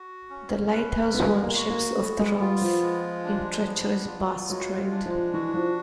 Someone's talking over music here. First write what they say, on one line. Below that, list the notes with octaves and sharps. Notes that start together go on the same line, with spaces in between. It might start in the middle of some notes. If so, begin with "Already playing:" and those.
The lighthouse warns ships of the rocks in treacherous Bass Strait.
Already playing: F#4
C#4
B4
G#3 B3
A#3
F#4
A#3
A3 B3
G#3
G3 F4
F3
G#3
D4
B3
F4
F#3 G#3
G3
D4
F3
E3 F#4
F3